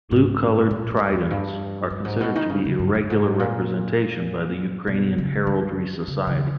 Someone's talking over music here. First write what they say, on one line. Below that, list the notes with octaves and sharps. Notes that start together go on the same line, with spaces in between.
Blue colored tridents are considered to be irregular representation by the Ukrainian Heraldry Society.
G#2
A#2
G2
E2
G2
G2
G#2
B2
D#3
C#3
C#3
G2
G2
G#2
A#2
B2
C#3
D#3
C#3
C#3